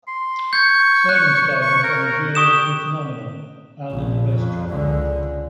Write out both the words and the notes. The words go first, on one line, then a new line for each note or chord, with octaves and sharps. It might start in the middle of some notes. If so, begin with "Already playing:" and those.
The sailing stones are a geological phenomenon found in the Racetrack.
C6
C#6 G6 G#6
F#6
C#6
A#4
G4 C#6 D#6 E7
A#1
F2
C#2 D3